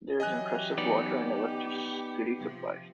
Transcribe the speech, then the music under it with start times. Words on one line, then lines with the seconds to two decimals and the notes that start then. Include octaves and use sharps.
There is impressive water and electricity supply.
0.20 E3 F#3 C#4 G4 D#5 G#5 F#6
0.78 B3 D#4 D5
2.38 C3 F3